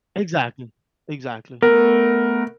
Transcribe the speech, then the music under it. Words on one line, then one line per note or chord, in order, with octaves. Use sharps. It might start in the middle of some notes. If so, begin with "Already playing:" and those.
Exactly, exactly.
A3 B3 A#4